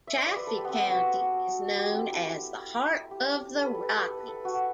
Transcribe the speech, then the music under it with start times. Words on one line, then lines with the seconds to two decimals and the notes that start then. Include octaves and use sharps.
Chaffee County is known as the "Heart of the Rockies".
0.07 E5
0.17 D5
0.26 C5
0.36 B4
0.47 A4
0.58 G4
0.64 B3 C4
0.80 B3
0.91 F#4
1.78 G4
1.91 C4
2.12 E4
3.11 G4
3.56 A4
3.65 B4
3.75 A4
3.83 B4
3.93 A4
4.01 B4
4.11 A4
4.19 B4
4.28 A4
4.45 F#4